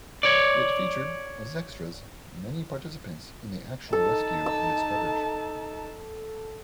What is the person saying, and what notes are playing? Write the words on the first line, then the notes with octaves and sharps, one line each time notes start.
It featured, as extras, many participants in the actual rescue and its coverage.
C#5 D5
D#4 A4 A5
E6